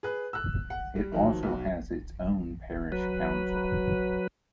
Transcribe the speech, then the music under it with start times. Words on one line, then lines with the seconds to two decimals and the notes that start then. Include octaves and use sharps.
It also has its own Parish Council.
0.03 G#4 B4 F#6
0.33 E6 F#6
0.70 F#5
0.96 G3
1.12 D#3 F3 F#3
1.43 B1 F#4
2.92 F#3 B4